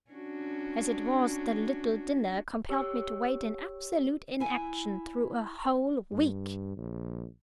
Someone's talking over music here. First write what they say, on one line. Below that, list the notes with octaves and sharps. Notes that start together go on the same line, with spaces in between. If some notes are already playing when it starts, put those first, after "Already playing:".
As it was, the "little dinner" compelled me to wait in absolute inaction through a whole week.
C#4 D4 F#4
G4 C#5 E6
E4 G#5
G2
A#1